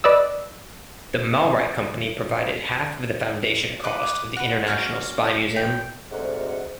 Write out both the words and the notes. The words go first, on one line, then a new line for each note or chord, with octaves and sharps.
The Malrite Company provided half of the foundation cost of the International Spy Museum.
B4 D5 D#5 E6
B4 D#5 D6
F#4 B4
A#3 C#4 E4 F#4
G5
D2 G#2 C3 F#5